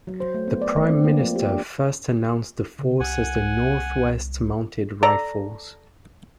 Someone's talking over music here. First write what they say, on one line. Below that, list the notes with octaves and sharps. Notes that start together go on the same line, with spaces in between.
The Prime Minister first announced the force as the "North West Mounted Rifles".
F#3
C5
A3
B3
D5
A3
C4
A#3
F3
G4
D4
C#3
C2 F#5 G#5
A4 D5 A#5